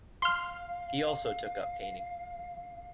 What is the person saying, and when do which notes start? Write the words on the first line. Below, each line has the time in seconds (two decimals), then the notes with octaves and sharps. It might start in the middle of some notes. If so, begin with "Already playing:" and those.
He also took up painting.
0.22 F5 C6 F6